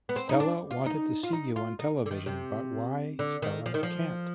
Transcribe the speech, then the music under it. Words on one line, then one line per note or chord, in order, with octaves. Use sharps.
Stella wanted to see you on television, but why Stella can’t?
B3
C4
D#4
D4
F4
D#4
F4
D#4
F4
D#4
D3
D#3
C3
D3
D#3
F3
D#3
F3